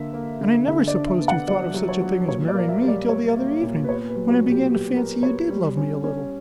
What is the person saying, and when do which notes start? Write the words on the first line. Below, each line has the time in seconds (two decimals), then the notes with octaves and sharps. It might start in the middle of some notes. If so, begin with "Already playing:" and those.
And I never supposed you thought of such a thing as marrying me till the other evening; when I began to fancy you did love me a little.
Already playing: D3 A#3 E5
0.14 A#3
0.41 D3
0.67 D3 E5
0.88 D5
0.94 D4
1.07 E5
1.21 B3
1.28 F#5
1.48 F#3 D5
1.74 F#3
1.89 C#5
2.01 F#3
2.28 A#2 C#5
2.48 D5
2.55 A#3
2.69 E5
2.82 G3
2.88 D5
3.08 A#3 C#5
3.36 A#3
3.62 A#2
3.84 B4
3.89 B3 C#5
4.09 B4
4.16 F#3
4.29 F#4
4.43 B2
4.50 G4
4.70 B3 G4
4.96 B3 A#4
5.23 B3 C#5
5.50 G3
5.77 C#4
6.04 C#4